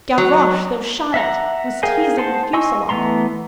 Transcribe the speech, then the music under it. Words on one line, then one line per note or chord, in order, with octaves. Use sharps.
Gavroche, though shot at, was teasing the fusillade.
F#3
E5 F#5 A#5
G#4 A#4 F5 G5 G#5
C5 F#5 A5 C6
D#5 G#5 C6 C#6 E6
E3 A3 B3 A#5 C6